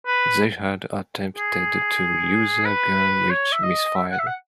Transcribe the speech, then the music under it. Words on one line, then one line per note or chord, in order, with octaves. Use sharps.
They had attempted to use a gun which misfired.
B4
G#4
B4
C#5
E5
D#5
E5
F#5
E5
F#5